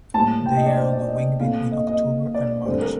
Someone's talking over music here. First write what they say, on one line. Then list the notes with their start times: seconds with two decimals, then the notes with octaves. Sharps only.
They are on the wing between October and March.
0.14 A2 G3 A#3 A5
0.46 G5
0.56 D#5
0.66 D5
0.77 C5
0.93 D5
1.08 D#5
1.40 A#2 A3 C4 F5
1.72 D#5
1.87 D#5
2.34 D5
2.65 G2 D3 A3 C4 C5
2.82 A#4